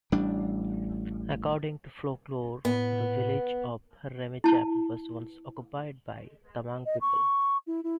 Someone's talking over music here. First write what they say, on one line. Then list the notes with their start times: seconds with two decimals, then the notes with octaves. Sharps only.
According to folklore, the village of Ramechhap was once occupied by Tamang people.
0.12 A1 G3 D4
2.65 A2 B3
4.44 E4 A5
6.86 D#5
7.01 C#6
7.67 E4
7.84 E4